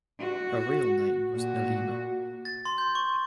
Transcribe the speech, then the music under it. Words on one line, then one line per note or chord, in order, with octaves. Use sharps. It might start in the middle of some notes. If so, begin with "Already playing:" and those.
Her real name was Nilima.
F#4
A#2 F#4
A6
C6
G6
C#6